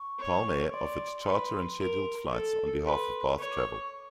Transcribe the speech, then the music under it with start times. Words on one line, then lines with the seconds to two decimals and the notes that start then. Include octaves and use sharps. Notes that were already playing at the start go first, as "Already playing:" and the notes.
Palmair offered charter and scheduled flights on behalf of Bath Travel.
Already playing: C#6
0.19 C#5
0.71 D5 C6
1.25 B4
1.79 A#4
2.32 A4
2.85 B4 C6
3.39 C#5 C#6
3.51 D6
3.63 C#6